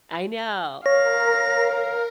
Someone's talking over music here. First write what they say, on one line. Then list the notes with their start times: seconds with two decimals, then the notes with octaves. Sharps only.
I know
0.86 A#4 C#5 F5 A#6